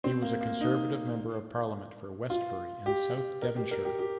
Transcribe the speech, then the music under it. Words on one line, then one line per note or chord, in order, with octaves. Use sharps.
He was Conservative Member of Parliament for Westbury and South Devonshire.
C4
A#3
A#3
D#4
F4
G4
A#4
G4
A#4
G4
G4